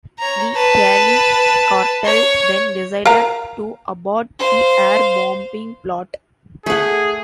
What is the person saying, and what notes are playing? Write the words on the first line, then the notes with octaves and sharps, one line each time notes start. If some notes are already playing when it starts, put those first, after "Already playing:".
The Cali Cartel then decided to abort the air bombing plot.
C#5 A#5
B4 A5
C#5
A#4 F5 A#5
C5 F5
A3 G#4 F#5